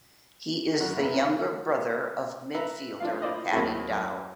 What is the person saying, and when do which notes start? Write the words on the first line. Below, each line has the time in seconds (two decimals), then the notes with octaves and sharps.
He is the younger brother of midfielder Paddy Dow.
0.80 F#2 F#4
0.97 E3 B3 G#4 A#5
2.54 B4 E5 A#5
3.00 D4 F4 F5
3.22 E4 F4 C5 D5 D#5
3.52 D#2 F#3 A#3 C4 E4 G#4
3.90 F#2